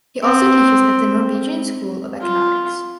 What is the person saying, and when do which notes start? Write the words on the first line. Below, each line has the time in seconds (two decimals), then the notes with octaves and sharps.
He also teaches at the Norwegian School of Economics.
0.23 C4
2.21 F4